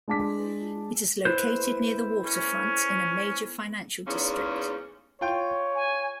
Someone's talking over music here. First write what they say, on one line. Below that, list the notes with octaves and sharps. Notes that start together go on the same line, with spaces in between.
It is located near the waterfront, in a major financial district.
G#3 D4 A5 D6 B6
E4 B4 C5
C#4
E2 G#2 A#3 C#4
F4 C#5 G5
G#5